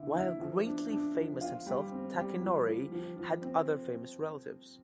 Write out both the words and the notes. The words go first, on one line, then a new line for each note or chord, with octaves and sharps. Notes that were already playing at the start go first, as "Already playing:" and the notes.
While greatly famous himself, Takenori had other famous relatives.
Already playing: D3 E4
E4
F3
D4
D4
F3
F4
G3
C4
G3
F3
F3
F3
F3
C4